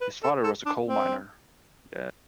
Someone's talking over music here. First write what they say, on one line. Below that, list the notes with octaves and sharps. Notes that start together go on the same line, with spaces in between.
His father was a coal miner.
B4
A4
A4
D4
C4